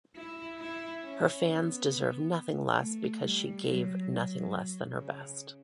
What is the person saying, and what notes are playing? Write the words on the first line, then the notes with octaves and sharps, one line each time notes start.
Her fans deserve nothing less because she gave nothing less than her best.
E4
E4
C#4
B3
A3
G3
F#3
F#3
C#3